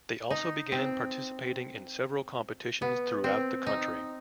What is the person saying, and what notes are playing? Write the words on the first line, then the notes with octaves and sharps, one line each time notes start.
They also began participating in several competitions throughout the country.
D#4
C4
B3
C4
D#4